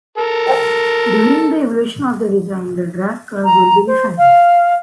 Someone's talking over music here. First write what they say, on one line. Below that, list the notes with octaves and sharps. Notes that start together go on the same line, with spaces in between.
During the evolution of the design the drag curve will be refined.
A4 A#4
A#5
C5
F5